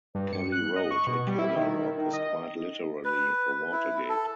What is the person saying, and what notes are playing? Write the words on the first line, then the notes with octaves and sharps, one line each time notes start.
Kelly wrote, a canal lock is quite literally, a water gate.
G2
C#7
F#6
D#5
C#6
B2
G3
E4
D#3
D#3
D#5
B4
E4
A4